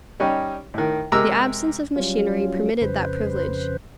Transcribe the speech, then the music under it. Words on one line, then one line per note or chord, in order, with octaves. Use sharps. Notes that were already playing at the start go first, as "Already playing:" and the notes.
The absence of machinery permitted that privilege.
G3 C#4 D#4 G4
A2 D#3
C3 G#3 A#4 A#5 D6 E6
F#3 G3 C#4 F4
F2 C#3 B4 C5